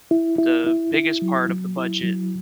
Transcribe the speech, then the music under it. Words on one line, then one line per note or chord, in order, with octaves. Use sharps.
the biggest part of the budget
E4
E4
E4
E4
F#3
F#3
E4
F#3